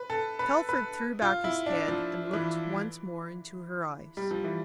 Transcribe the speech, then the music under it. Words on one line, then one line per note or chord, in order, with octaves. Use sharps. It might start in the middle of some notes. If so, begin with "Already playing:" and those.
Telford threw back his head and looked once more into her eyes.
Already playing: B4
A4
B4
B4
F4
E4
D4
F3
E3
G3
F3
E3